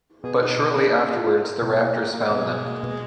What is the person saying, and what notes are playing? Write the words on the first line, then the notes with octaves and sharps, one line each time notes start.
But shortly afterwards, the raptors found them.
B2 G#4
D4
B2 D#4
B2 D#4
A#3 D4
A#3
F4
F4
A#4
B2
A#3
A#3
A#3
B2 G#3
B2
A#3
B2